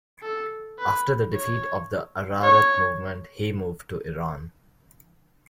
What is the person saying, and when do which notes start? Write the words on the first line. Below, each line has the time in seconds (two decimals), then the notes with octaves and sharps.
After the defeat of the Ararat movement, he moved to Iran.
0.23 A4
0.79 B4
1.33 C#5
2.43 C#5